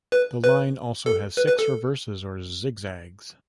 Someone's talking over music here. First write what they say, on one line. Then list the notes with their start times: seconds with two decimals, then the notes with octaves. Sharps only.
The line also has six reverses or zig-zags.
0.12 B4
0.44 B4
1.06 A4
1.37 B4
1.48 B4
1.59 A4